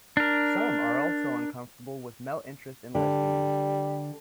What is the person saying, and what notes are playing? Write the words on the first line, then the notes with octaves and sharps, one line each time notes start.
Some are also uncomfortable with male interest in lesbians.
D4 A#4
D3 G3